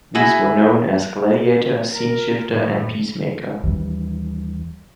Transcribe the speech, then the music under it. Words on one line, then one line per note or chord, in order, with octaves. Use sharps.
These were known as "Gladiator", "Sceneshifter" and "Peacemaker".
E4 F#4 G#4 E5
A#4
A2
D#2 E3 G3